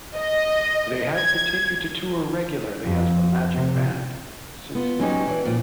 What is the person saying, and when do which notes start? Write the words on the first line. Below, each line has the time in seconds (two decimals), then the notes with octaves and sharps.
They have continued to tour regularly as the Magic Band since then.
0.17 D#5
1.16 G#6
2.84 F2
3.54 C3
4.75 B3 F4
4.99 F#3 C#4 D#4 G4
5.27 E3 D4
5.45 A#2 F3